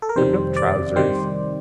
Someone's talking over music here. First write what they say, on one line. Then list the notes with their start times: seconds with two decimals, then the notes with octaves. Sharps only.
Turnedup trousers.
0.02 A4
0.09 A#4
0.16 F2 C3 D#3 G3 C4 C5
0.56 D5
0.96 C3 D#3 G3 C4 C5